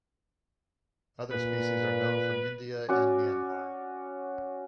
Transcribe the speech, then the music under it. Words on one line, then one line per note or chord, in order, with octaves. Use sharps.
Other species are known from India and Myanmar.
A#2 B4
C#4 F#4 D5